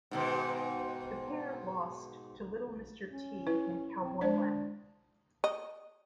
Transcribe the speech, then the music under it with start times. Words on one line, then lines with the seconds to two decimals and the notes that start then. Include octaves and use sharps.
The pair lost to Little Mr. T and Cowboy Lang.
0.11 G#2 B2 D#3
3.09 C#4
3.47 E4 B4
4.02 C4
4.21 G#3 D4 C5 D5
5.44 D#5